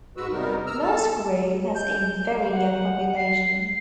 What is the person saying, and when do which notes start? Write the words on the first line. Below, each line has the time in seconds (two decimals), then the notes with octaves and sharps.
Nutgrove has a very young population.
0.17 G#2 G#3 F#4 B4 E6
0.31 E2 C3 G3 B3 D#4 A#4
0.66 A#5 E6 F6
0.83 A4 A5
1.75 G6
2.52 F#5
3.16 C7